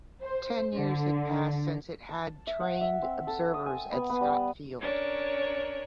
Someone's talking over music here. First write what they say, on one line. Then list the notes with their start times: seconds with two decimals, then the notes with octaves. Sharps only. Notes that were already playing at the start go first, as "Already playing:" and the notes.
Ten years had passed since it had trained observers at Scott Field.
0.22 C5
0.76 D3
2.09 A5
2.47 E5
2.60 F#5
2.81 E5
3.02 C4
3.27 A4
3.54 D#6
3.66 G#5
3.92 B3
4.10 B3
4.21 G3
4.80 C#4 D4 A#4 C#5